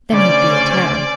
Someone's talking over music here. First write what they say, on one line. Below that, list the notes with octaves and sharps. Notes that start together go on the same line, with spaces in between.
Then he'd be a terror.
D2 C#3 C#4 C5 D5 G#5